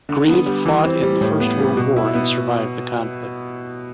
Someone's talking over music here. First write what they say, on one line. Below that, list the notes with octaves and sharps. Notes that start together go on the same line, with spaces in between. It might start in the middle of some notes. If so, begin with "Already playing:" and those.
Greive fought in the First World War and survived the conflict.
D3
B3
G3
E3
C4
G3
A2
B3
G3
B2
E4
B3